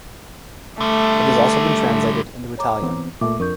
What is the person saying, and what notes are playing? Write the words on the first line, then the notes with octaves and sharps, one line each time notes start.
It has also been translated into Italian.
D3 G3 A3
C#5 A#5 D6
E3 B3 C4
A#2 A3 E5 D6
F2 D4 A#4 C#6 G6